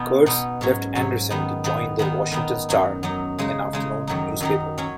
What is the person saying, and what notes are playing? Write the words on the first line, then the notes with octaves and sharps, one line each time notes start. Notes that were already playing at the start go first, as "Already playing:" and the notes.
Kurtz left Anderson to join the "Washington Star", an afternoon newspaper.
Already playing: B2 B3 D#4
B2 B3 D#4
G#2 F#3 C#4
G#2 F#3 C#4
D#3 B3 D#4
D#3 B3 D#4
D#3 B3 D#4
D#3 B3 D#4
F#2 F#3 D#4
F#2 F#3 D#4
C#3 G#3 D#4
C#3 G#3 D#4
F#2 D#3 F#3 D#4
F#2 D#3 F#3 D#4
F#3 C#4